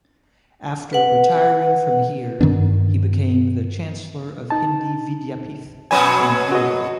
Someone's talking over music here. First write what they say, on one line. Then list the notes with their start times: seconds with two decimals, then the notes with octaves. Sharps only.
After retiring from here he became the Chancellor of Hindi Vidyapeeth in Deoghar.
0.93 B4 F#5
2.41 G2 D#3 B3 D4
4.50 D#4 A5
5.91 F#2 B2 F#3 G#5 B5
6.52 F#4 D#5